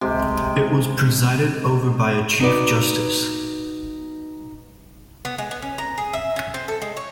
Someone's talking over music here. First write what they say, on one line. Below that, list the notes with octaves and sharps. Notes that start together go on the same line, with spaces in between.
It was presided over by a Chief Justice.
C3 G#3 G4 C6
D#4 F#4 B4 D5
B3
G#3
B3
C#4
A#5
G#4
E5
C#4
C4
A4
G#3
C#5